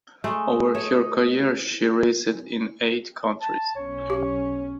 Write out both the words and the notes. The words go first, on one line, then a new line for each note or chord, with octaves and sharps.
Over her career she raced in eight countries.
G#3 A3 D#5
A3 C#5
A5
B1 C#4 C#5
G4